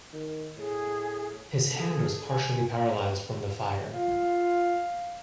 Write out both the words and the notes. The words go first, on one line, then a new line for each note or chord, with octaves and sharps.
His hand was partially paralyzed from the fire.
D#3
A2 G#4
G#4 A4
G#5
F4 F5